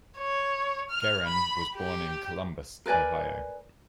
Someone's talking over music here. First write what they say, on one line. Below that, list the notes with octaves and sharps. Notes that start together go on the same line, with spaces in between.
Geren was born in Columbus, Ohio.
C#5
F6
B5
G4
A#4 B4 D5 G#5